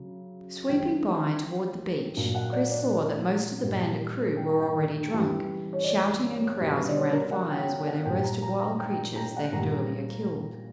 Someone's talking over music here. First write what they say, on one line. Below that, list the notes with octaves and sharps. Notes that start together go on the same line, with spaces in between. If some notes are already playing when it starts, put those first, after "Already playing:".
Sweeping by toward the beach Chris saw that most of the bandit crew were already drunk, shouting and carousing around fires where they roasted wild creatures they had earlier killed.
Already playing: C#3 F#3
C#3 E3 G3 G5
A#2 F#3
F#5
D5
D5
A#2 G3
G5
A#5
G5
C#3 E3 G3
C#5
D5
B2 G3
B4
D5
C#5
A#4
F#5
G5
G5
F#5
A#2 G3 G5
A#5
A#5
A#5
G5
A#5
F#5
G5
A#2 G3 A#5